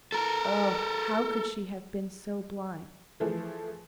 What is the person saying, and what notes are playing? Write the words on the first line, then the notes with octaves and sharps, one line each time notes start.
Oh! how could she have been so blind?
A4 A#4
E3 F3 A3 G#4